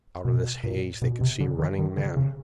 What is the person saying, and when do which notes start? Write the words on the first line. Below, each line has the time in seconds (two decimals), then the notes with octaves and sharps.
Out of this haze they could see running men.
0.25 B2
0.64 A#2
1.02 B2
1.21 C3
1.40 D3
1.59 D#3
1.79 D#3
1.97 D3
2.17 C#3